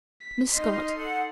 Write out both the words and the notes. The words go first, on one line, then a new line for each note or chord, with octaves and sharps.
"Miss Scott?"
B6
D#4 D#5 C6 F6
A4 F#5